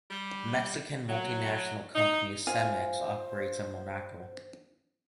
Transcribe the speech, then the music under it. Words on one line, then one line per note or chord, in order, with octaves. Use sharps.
Mexican multinational company Cemex operates in Monaco.
G3
F#3
D#4
F4 C5 F5 G#5